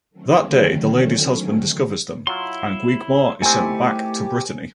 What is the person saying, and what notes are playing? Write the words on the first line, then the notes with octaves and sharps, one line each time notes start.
That day, the lady's husband discovers them, and Guigemar is sent back to Brittany.
D3 D#3 F#3 A3 C4 C#4
F#3 E4 F4 C6
D#3 A3 C4 E4 G4 G#5